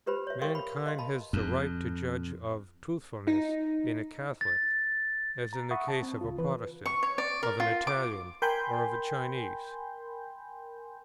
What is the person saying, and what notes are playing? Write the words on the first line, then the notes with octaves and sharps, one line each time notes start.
Mankind has the right to judge of Truthfulness in a Catholic, as in the case of a Protestant, of an Italian, or of a Chinese.
F4 G4 B4 C5 B5
C#5 E5
A#4 F5 G5 C6 C#6
B5
D#5 F5 C6
F5 A5 B5
F2
D#4
A6
A#5
E5 F#5 B5 C#6 D#6
A5
C4
C#2 F4
E3 B4
C#6
C#5
D5
A#4
F4
D6
A#4 G5 G#5 B5 C6 G6